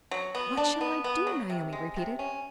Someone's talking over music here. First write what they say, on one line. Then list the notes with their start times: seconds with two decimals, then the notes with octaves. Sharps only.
"What shall I do?" Naomi repeated.
0.11 F#3
0.35 B3
0.57 D4
0.81 B3
1.04 B3
1.27 F#3
1.50 C3
1.73 G#3
1.96 C3
2.19 C#4